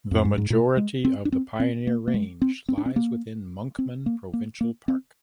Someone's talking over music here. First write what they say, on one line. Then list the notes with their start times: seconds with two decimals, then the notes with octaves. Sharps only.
The majority of the Pioneer Range lies within Monkman Provincial Park.
0.11 F2
0.25 G2
0.38 G#2
0.50 A#2
0.77 G#3
1.05 C4
1.25 D4
1.32 C4
1.60 C4
1.87 A#3
2.08 A#3
2.14 G#3
2.42 C4
2.69 C4
2.78 D4
2.86 C4
2.96 A#3
3.79 C4
4.06 A#3
4.33 A#3
4.61 A#3
4.88 C4